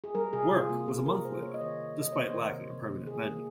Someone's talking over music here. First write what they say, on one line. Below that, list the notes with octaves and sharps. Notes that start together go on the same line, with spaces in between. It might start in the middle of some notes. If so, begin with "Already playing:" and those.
"Work" was a monthly event, despite lacking a permanent venue.
G#4
G3 A#4
C3 G#4
C3 F4
A#3 F4
G3 G#4
C3 A#4
C3 C5
A#3 C#5
D#5
D#3 C#5
C3
C3 D#5
A#3 C#5
C5
D#3 A#4
C3
C3
A#3
A#3 G#4
A#3